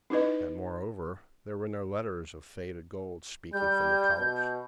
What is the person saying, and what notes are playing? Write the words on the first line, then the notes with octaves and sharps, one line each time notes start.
And, moreover, there were no letters of faded gold speaking from the colors.
C#4 D#4 E4 B4 D#5
G3 G6
B2